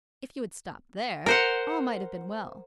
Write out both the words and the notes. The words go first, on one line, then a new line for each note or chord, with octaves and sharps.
If you had stopped there, all might have been well.
A#4 C5 F#5